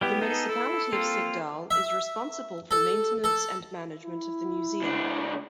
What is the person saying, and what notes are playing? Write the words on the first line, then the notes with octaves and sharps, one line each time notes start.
The municipality of Sigdal is responsible for maintenance and management of the museum.
G3 B3 E4 G4
D#4 G#4 A4
E4 A4
A#3 C4 F4
E5
A4
A4
E4
C#2 D4